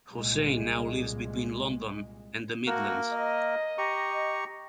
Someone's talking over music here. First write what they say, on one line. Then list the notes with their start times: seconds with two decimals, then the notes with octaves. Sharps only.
Hossain now lives between London and the Midlands.
0.11 C2 A#2 G#3
2.67 A3 A#3 F#4 A#4
3.13 D#5
3.78 G4 A#5 C#6